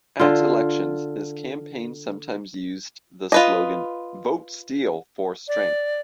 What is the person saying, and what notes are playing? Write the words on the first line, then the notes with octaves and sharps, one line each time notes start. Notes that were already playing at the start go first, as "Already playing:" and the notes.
At elections his campaign sometimes used the slogan "Vote Steele For Strength".
D3 F4
F4 B4 D#5
D5